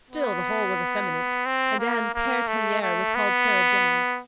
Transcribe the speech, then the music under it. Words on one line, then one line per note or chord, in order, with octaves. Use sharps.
Still the whole was effeminate, and Anne's Pere Tellier was called Sarah Jennings.
B3
C4
A#3
A#3
A3
A3
B3